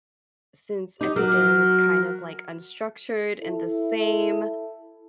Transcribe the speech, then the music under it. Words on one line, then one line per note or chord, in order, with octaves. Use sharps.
since every day is kind of, like, unstructured and the same,
D#4 G4
F#3 A#4
E4 A4